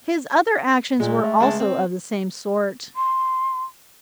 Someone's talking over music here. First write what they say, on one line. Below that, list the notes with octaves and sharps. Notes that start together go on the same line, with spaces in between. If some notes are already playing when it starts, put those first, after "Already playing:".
His other actions were also of the same sort.
A#2 G#3
A3
C#2 G#3 A5
C4
C6